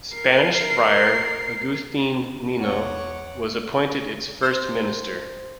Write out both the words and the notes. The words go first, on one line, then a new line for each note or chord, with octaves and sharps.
Spanish Friar Agustin Mino was appointed its first minister.
A#4 C7
E2 C#5 F#5 D6
C5